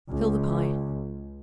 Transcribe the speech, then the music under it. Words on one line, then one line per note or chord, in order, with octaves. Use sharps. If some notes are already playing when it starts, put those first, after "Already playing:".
Fill the pie.
C#2